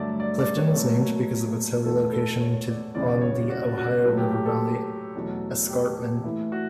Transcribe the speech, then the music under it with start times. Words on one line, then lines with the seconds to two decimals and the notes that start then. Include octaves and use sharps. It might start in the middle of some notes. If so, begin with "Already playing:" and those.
Clifton was named because of its hilly location on the Ohio River valley escarpment.
Already playing: G2 D3 F#3 A3 D5 E5
0.20 D5
0.39 D5
0.56 C#5
0.75 B2 F#3 A3
1.85 E2 B2 A3 A4
2.05 B4
2.12 A4
2.40 C#5
2.67 D5
2.95 E2 C#3 G3 D5
3.09 D5
3.22 C#5
3.50 F#4
3.78 F#4
4.04 A2 F#3 A3
4.18 G4
4.31 G4
4.46 A4
5.15 E2 B2 F#3 A3
5.69 G4
5.96 G4
6.24 A2 E3 A3 E4
6.52 F#4